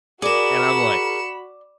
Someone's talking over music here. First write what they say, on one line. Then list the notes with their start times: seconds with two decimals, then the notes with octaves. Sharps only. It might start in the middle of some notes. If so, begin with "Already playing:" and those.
and I'm like
0.22 F#4 G#4 A#4 D5 B5 C#7 E7